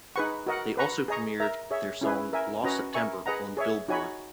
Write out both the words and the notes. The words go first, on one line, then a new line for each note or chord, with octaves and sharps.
They also premiered their song "Lost September" on "Billboard".
D#4 G#4 B4 F#5 C#6
F#4 A#4 D#5 F#5
B4 F#5 A#5 C#6
G#4 D#5 A#5 C#6
A#4 E5 A#5
G#4 C#5 E5
C#4 E4 G#4 B4
A#4 E5 G#5
C#4 F#4 B4 D#5 A#5
A#4 E5 G#5 C#6
G#4 B4 D#5 F#5 A#5
G#4 C#5 E5
D#4 F#4 C#5 G#5 B5